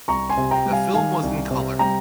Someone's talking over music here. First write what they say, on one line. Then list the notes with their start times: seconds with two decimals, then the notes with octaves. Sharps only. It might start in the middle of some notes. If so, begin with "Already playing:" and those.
The film was in colour.
0.08 C2 A#5 C#6
0.30 G#5 C6
0.37 C3
0.51 G5 A#5
0.66 G3
0.72 F5 G#5
0.94 D#3 F5 G#5
1.23 C2
1.51 C3
1.79 G3 G5 A#5